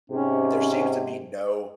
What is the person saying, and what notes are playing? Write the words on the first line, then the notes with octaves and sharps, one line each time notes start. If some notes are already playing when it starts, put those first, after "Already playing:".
there seems to be no
G#2 C3 C#4